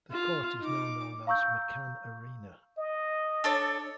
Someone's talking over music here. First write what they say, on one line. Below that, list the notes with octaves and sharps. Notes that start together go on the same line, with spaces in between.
The court is now known as McCann Arena.
F4
D#4 D6
F5 A#5 C#6 E6 G6
D#5
D4 A4 C#5